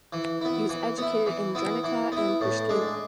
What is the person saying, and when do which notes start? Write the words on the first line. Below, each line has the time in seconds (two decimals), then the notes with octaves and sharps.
He was educated in Drenica and Prishtina.
0.13 E3
0.41 B3 E4
0.69 E3
0.98 B3 E4
1.26 E3
1.55 B3 E4
1.84 E3
2.12 B3 E4
2.41 A2
2.69 G#3 D4